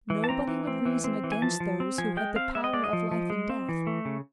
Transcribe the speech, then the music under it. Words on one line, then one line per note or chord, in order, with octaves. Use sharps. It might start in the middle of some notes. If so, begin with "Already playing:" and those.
Nobody would reason against those who had the power of life and death.
E3
A5
C4 A#5
E3
C4
E3
C4
E3
G#5
F3 A5
F3
C4
F3 G#5
G#3 G5
C4 F5
G#3 E5
D#5
G#3 D5
D#5
F3
F3
G#3
C4
E3
A3
C#3